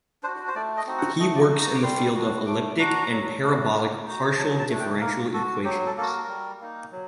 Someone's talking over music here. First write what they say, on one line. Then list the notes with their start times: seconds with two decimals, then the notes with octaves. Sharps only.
He works in the field of elliptic and parabolic partial differential equations.
0.23 D4 F#4 C5
0.47 C5
0.55 A3 D5
0.77 D#5
0.87 C4 D#4 F#4
0.98 F#5
1.19 A3 D#5
1.35 D5
1.40 D#5
1.51 D#4 F#4
1.62 A#5
1.75 D6
1.83 G3 C6
2.15 D4 F#4
2.46 A3 D6
2.78 D4 F#4 A#5
3.11 F#3
3.43 A3 D4 F#4
3.74 A#3
4.06 D#4 F#4
4.37 F#3 A5
4.59 A5
4.70 A3 D4
4.80 G5
5.01 A#3 A#4
5.33 F#4 A4
5.64 F#3 G4
5.86 A4
5.97 A#3 F#4 A4
6.07 A#4
6.28 G3
6.61 A#3 D#4
6.92 F#3